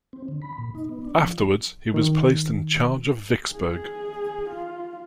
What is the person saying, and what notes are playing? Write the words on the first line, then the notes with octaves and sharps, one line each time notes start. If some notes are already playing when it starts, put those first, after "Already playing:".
Afterwards he was placed in charge of Vicksburg.
C4
D3
B5
A#2
D#4
B3
D4
F3
D#3
G#4
F4